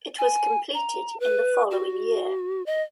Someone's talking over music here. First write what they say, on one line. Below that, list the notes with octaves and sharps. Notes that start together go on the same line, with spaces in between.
It was completed in the following year.
G#5
A#5
B4
F#4
D#5